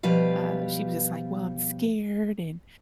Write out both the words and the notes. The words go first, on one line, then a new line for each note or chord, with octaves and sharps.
uh, she was just like, "Well, I'm scared, and
B2 F3 G3 B4 F5